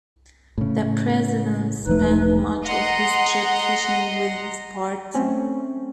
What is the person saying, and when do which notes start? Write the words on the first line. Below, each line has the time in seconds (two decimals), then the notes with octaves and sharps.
The president spent much of his trip fishing with his party.
0.58 A2 C#3
1.87 E1 F3 A3 D#4 B4
2.66 D#5 F#5 A#5 C6
5.14 A3 C4 C#4